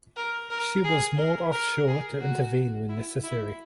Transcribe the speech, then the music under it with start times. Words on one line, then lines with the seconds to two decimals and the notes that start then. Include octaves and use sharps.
She was moored offshore to intervene when necessary.
0.16 A#4
0.50 A#4
0.84 G#4
1.18 A#4
1.52 A#4
1.87 G#4
2.21 F#4
2.89 E4
3.23 E4